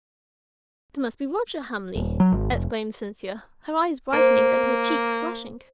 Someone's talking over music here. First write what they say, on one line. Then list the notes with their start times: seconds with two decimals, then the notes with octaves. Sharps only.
"It must be Roger Hamley!" exclaimed Cynthia, her eyes brightening, and her cheeks flushing.
1.96 D#1
2.20 F#3
2.32 G#1
2.52 F1
4.13 A#3 C5